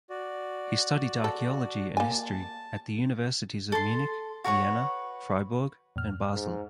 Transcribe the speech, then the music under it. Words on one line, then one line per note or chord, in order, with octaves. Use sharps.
He studied archaeology and history at the Universities of Munich, Vienna, Fribourg and Basel.
F#4 D5
A4
A#3 G#5 A5
A4 C6
F#4 A#4 B4 C#5
F2 A#2 F6
G#2